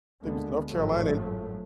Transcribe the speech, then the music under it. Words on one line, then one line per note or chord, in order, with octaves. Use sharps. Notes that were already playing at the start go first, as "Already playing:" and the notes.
think it was North Carolina and
D2 D3 G#3 A#3 B3
G#1 F#2 A2 F3 F#3 A3